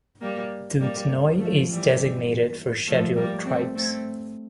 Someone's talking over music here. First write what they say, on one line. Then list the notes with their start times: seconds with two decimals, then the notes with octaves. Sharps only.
Dudhnoi is designated for scheduled tribes.
0.21 G3 A#3
0.80 G3 A#3
1.39 F3 A3
1.69 E3 G3
2.87 F3 A3
3.16 G3 A#3
3.45 A3 C4
3.75 A3 C4